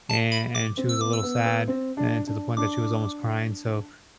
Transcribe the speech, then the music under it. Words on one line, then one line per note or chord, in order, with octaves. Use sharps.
an and she was a little sad and to the point that she was almost crying. So,
A5
B5
D6
C4
E6
B3 D6
E6
B3
B3
C4
D4
D4
D4 D6